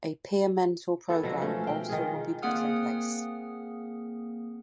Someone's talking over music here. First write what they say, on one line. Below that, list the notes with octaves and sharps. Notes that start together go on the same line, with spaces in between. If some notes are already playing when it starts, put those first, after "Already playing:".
A peer mentor program also will be put in place.
B3 A4 C#5
B2 F3 F#3 F#4
A3 C#4
F5 G5
D#3 F4 G#4
A#3 C4 G#4 F#5 D#6 F6